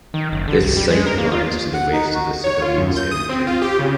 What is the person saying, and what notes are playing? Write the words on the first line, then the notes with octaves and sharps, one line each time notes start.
This site lies to the west of the civilian cemetery.
D#3
F#1
D3
C2
G3
G#3
A#4
A#3
F4
F#5
D#4
F#4
C#5
F4
F#2
G6
D#6
C4
F4
G4
C#3